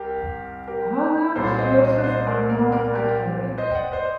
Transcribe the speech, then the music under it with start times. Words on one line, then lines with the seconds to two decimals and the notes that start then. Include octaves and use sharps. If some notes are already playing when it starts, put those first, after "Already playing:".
Other sources are more accurate.
Already playing: C2 G4 A#4
0.68 G4 A#4
1.35 C2 A#2 F#3 A4 C5
1.58 C5 D#5
1.81 C5 D#5
2.04 C5 D#5
2.26 A#4 D5
2.49 A#4 D5
2.72 A#4 D5
2.95 G4 A#4
3.58 C5 D#5
3.71 G5
3.75 D5 F#5
3.92 C5 D#5